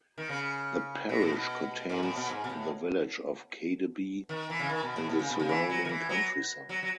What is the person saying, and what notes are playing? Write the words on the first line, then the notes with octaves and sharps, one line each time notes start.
The parish contains the village of Cadeby and the surrounding countryside.
D#3
C#3
B2
A2
B2
G#2
A2
B2
G#2
B2
A2
D#3
E3
C#3
D#3
B2
A2
B2
C#3
B2
C#3
E3
F#3
D#3
E3
F#3
F#3
F#3